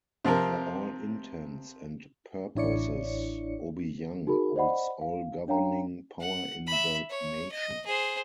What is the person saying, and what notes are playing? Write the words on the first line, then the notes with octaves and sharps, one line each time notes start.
For all intents and purposes, Obiang holds all governing power in the nation.
C3 F3 C4 A#4
A1 D4 E4 C#5 D5 C#7
D#4 F#4 G#4 A#4 B5
C5 D5 D#5 F#5 B5
F5
D4 C#5 F5 G5 A#5
F#5
E5 B5
C#5
D#5
G#4 C5